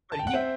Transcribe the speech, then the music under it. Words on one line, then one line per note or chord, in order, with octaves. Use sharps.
But he
A5
G5
F#5
C4 C5 E5